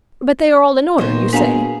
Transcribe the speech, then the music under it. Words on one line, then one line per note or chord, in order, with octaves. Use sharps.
"But they are all in order, you say?"
B1 A#2 A#3 B3 C5 C#5 D#5
B2 D4 G#4 F5 A#5